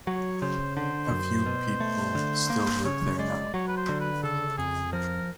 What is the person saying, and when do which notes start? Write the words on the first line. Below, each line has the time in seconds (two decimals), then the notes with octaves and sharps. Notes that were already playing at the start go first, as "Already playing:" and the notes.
A few people still live there now.
0.07 F#3 C#5
0.42 C#3 C5
0.76 D3 C5
1.11 F#2
1.46 B2
1.80 A3
2.15 D3
2.50 A#3
2.85 C#3 C#5
3.19 G#3 D5
3.54 F#3 C#5
3.68 B4
3.77 C5
3.89 D3
4.00 B4
4.23 C#3 A4
4.58 F2 G#4
4.93 F3 A#4